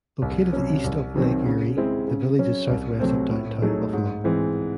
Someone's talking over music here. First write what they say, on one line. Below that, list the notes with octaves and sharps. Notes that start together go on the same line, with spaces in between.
Located east of Lake Erie, the village is southwest of downtown Buffalo.
C2
C3 F#3 C#4
C2
C3 D#3 F#3 C4
C#3
G#3 C4 E4
C#3
F#3 C#4
C2
C3 F#3 A3 C4
A2
F#3 A3 D#4 G#4
G#2
E3 G#3 C4